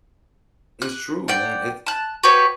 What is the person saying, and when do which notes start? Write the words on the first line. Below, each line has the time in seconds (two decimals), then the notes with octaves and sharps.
It's true, man, it's
0.82 F#6
1.28 D5 F#5 G5
1.86 A5 F#6
2.24 F#4 G4 B4 C#5